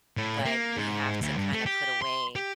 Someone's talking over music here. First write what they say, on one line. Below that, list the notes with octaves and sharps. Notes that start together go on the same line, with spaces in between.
but we have to kinda put away
A2
A#3
G#2
D2
G2
A3
G4
C6
G4